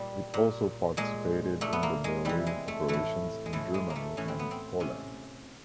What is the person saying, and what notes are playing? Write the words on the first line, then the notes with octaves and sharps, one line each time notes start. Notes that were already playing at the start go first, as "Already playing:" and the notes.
It also participated in the Berlin operations in Germany and Poland.
Already playing: A#2 G3
A#2
A#2 G#3
A#2 A3
B3
A#3
G#3
C3 E3 G3
G#3
A3
A2 E3 A3
G#3
A2 E3 A3
G#3
A#3
A3
A2 E3 C#4
C4
B3
C4
C3 C#4